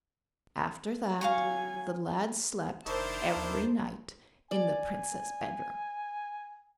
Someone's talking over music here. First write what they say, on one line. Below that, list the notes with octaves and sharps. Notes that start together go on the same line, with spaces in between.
After that the lad slept every night in the Princess' bedroom.
F#3 F5 G#5 A#5 C#6
F1 D#3 D4 E4 A#4 C5 A5
D#2
D5 G#5